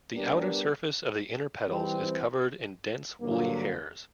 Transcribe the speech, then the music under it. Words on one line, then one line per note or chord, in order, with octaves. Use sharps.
The outer surface of the inner petals is covered in dense woolly hairs.
G3 B3 D4 G4 A#4
E3 G3 C4
G2 D3 F#3 A#3